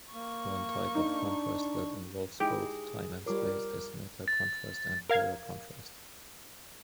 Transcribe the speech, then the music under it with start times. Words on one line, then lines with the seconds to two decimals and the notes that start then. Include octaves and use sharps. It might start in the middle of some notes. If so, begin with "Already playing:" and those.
One type of contrast that involves both time and space is metacontrast and paracontrast.
0.13 A#3 C#6
0.95 D4 D#4
2.40 G#3 D#4 E4 G4 G#4
3.26 G3 F4 A#4 C#5 D6
4.28 A6
5.09 A#4 F5 G#6